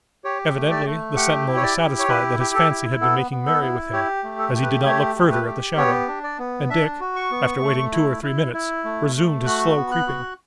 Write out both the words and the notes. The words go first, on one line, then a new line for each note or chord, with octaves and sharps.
Evidently the sentinel was satisfied that his fancy had been making merry with him, as he did not look further at the shadow, and Dick, after waiting two or three minutes, resumed his slow creeping.
G4 C#5
A3
D5
A3
G4 F#5
E4
C#5
D5
G4
C#5
E4 B4
G4
A4
E4
B3 A4
B3
A4
E4
G4 C#5
A3
A4
G4
B4
A3 C#5
G4
B4
G4
B3 C#5
D4
D5
B3
D4 E5
F#4
C#6
B3
A3
E4
E4
E4
A3
A3
F#4 F#6
B3
F#6
F#4